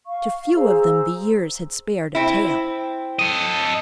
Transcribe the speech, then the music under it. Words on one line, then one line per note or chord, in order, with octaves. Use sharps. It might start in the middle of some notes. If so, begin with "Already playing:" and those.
To few of them the years had spared a tail.
F5 C#6
G#4 C5 A#5 E6
C4 E4
A4 D#5